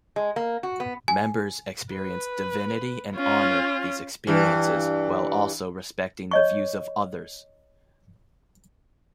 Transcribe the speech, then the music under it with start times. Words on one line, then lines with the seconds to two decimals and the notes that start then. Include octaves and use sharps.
Members experience Divinity and honor these experiences while also respecting the views of others.
0.16 G#3
0.36 A#3
0.63 F#4
0.80 B3
1.08 G#5
1.93 B4
3.16 C#4 F4
4.27 G2 E3
6.31 C#5 D#5 C#6